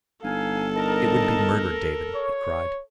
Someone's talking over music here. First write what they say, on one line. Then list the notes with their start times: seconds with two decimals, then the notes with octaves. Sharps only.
"It would be murder, David," he cried.
0.23 G1 D#4 A4 F5 G#5
0.76 D#4 A#4 A5
2.15 C#5